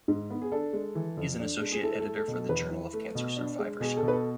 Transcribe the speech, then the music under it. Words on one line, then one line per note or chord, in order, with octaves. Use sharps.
He is an Associate Editor for the Journal of Cancer Survivorship.
G#2
B3
G#4
D4 A4
G#3
E3
F2
D4
G#3
G#4
E4 A4
A4
A3
A4
B2 A4
E2 B4
E4
A3
B2
D4
G#3
B2 G#4
A4
B2
B4
A4